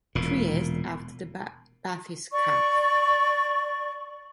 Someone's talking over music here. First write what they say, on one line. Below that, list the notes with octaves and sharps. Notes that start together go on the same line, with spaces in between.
"Trieste", after the bathyscaphe.
E1 A#2
D5 C#6